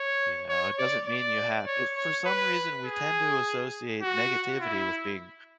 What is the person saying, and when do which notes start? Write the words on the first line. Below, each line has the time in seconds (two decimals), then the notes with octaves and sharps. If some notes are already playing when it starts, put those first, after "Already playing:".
You know? It doesn't mean you have eh, for some reason, we tend to associate negativity with being
Already playing: C#5
0.49 C#5
0.79 D5
1.08 D5
1.66 C#5
1.96 C#5
2.26 B4
2.85 G#4
4.02 F#4
4.61 E4